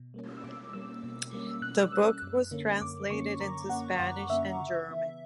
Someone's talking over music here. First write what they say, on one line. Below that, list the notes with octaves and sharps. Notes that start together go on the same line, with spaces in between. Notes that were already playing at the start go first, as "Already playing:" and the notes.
The book was translated into Spanish and German.
Already playing: B2
G3 A#3 C#4
E6
B2 D6
G3 A#3 C#4 E6
B2
G3 A#3 C#4
B2 F#6
G3 A#3 C#4 E6
F#2
D3 A#3 C#4
F#2 D6
D3 A#3 C#4 C#6
F#2 A#5
D3 A#3 C#4 F#5
F#2 F#5
D3 A#3 C#4 E5
C#3
E3 B3